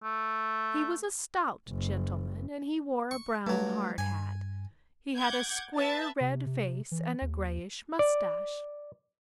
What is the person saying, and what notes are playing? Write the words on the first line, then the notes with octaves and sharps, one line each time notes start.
He was a stout gentleman and he wore a brown hard hat; he had a square red face and a greyish moustache.
A3
F#1
C#6
G2 F#3 A3
G2 G#5
F#5 D6 G6 G#6
B4 E5 A5 A6
C3
C3
E3
D#2
D5